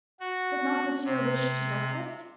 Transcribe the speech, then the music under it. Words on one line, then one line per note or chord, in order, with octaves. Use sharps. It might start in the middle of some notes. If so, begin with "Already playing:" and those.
"Does not Monsieur wish to breakfast?"
F#4
C3